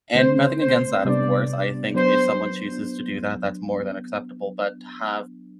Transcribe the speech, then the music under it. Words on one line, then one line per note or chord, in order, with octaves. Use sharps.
and nothing against that, of course. I think if someone chooses to do that, that's more than acceptable, but to have
D3 A3 C4 C5
C5
C3 G3 B3 D4 D5
F#3 B3 D4 C5